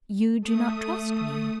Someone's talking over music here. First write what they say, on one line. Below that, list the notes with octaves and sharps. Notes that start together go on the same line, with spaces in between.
"You do not trust me?"
A3 D#6